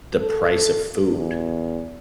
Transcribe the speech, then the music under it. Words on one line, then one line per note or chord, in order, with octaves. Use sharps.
the price of food.
A4
E2